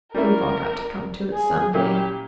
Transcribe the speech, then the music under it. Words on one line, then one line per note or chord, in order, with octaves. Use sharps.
We've all got to come to it some day.
G3 A#3 C#4 E4 A#4
G#4
A#2 A#3 C#4 E4 G4